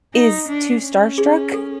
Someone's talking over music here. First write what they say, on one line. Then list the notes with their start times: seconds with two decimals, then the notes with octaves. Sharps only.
is too starstruck
0.14 D#4
0.49 D4
0.84 C#4
1.18 G#4
1.54 A4